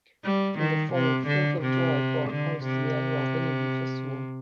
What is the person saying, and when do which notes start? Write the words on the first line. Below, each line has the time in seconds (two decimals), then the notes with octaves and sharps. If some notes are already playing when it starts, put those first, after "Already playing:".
In the fall, Fourth of July Park hosts the annual Honeybee Festival.
0.24 G3
0.59 D#3
0.93 C3
1.27 D3
1.62 C3
2.30 D3
2.64 C3